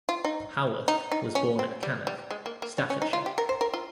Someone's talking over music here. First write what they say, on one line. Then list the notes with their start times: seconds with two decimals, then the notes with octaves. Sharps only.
Howarth was born at Cannock, Staffordshire.
0.09 F4
0.25 D#4
0.88 D#4
1.12 D#4
1.35 C#4
1.59 C4
1.83 G3
2.07 G3
2.31 G#3
2.46 A#3
2.62 A#3
2.78 C#4
2.90 C#4
3.02 D#4
3.13 F4
3.26 G4
3.38 A#4
3.49 C5
3.61 A#4
3.74 F4